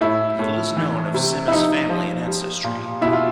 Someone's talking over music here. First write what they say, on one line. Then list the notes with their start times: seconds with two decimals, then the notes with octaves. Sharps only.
Little is known of Sima's family and ancestry.
0.01 A2 E4
0.39 A2
0.77 E3
1.14 C3
1.48 E4
1.52 F3 D#4
1.89 F3
2.27 G3
2.64 A#2
3.01 B2 E4
3.13 F4